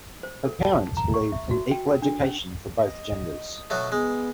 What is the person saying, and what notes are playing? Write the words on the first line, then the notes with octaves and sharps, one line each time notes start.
Her parents believed in equal education for both genders.
C5
A4
A5
A#5
C#6
E5
F#4
G5
A4
D4
C#4
D#5
B2 F#3 A3
G#3 B3